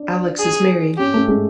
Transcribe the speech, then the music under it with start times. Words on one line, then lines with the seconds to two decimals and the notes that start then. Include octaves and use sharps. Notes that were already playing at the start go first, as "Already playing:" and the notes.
Alex is married.
Already playing: D4
0.40 G#4
0.98 C#4 G4
1.14 A3
1.28 G#3